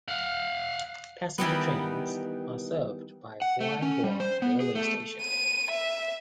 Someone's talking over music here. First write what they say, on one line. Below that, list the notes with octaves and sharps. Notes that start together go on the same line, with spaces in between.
Passenger trains are served by the Huaihua Railway Station.
F5 F#5
D#3 E3 G3 B3
F#5
A3
C#4
G3
C5
B3
G#4
A3
D#7
E5